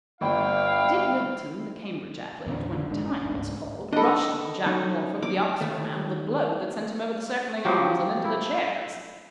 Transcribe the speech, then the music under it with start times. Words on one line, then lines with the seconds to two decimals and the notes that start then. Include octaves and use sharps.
Dick Milton, the Cambridge athlete, when "time" was called, rushed on Jack Norfolk, the Oxford man, with a blow that sent him over the circling arms and into the chairs.
0.21 G1 E4 F5 G5
2.46 E2 A#2 D3
2.71 F#1 F2 D3
2.89 G#1 G#3 D4
3.07 C#4
3.23 D1 A1 A2 D4
3.38 C#2 G#2
3.93 D4 A4 D#5 B5
4.66 F#3 C#4 D#4
5.22 D6
5.61 D#2 D#3 A3
7.65 F3 F#3 G4
8.25 E4